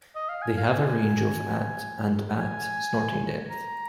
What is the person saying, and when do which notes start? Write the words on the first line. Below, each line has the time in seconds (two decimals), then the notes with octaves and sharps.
They have a range of at and at snorting depth.
0.15 D#5
0.29 F5
0.42 G#5
0.57 F5
0.70 G#5
2.38 G#5
3.50 A#5